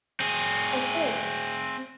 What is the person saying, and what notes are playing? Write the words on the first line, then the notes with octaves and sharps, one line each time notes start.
Oh, good.
C4 G#4